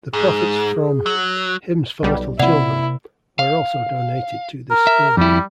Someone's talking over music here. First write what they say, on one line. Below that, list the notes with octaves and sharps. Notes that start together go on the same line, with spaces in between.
The profits from "Hymns for Little Children" were also donated to this school.
G#2 G#4
F#3
B1 G3
C3 A#3 C4 E4 D5 F#5 F7
F5
A#4
E5
F2 G3 E4